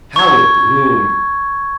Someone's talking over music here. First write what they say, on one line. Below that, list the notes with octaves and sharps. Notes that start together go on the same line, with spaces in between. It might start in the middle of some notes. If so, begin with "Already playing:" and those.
How it bloomed!
C#6 G#6